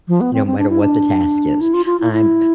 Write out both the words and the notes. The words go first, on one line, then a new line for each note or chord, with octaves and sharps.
no matter what the task is, I'm
F3
B3
C4
C4
D4
E4
D4
E4
F4
F4
E4
E4